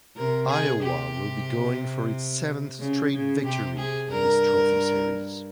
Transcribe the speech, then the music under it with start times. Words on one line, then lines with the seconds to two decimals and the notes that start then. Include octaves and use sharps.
Iowa will be going for its seventh straight victory in this trophy series.
0.17 C3 A#4
0.49 G#4
0.82 C3 G4
2.80 C#3
3.12 C#3
3.45 C3 G4
3.78 G#4
4.11 G2 A#4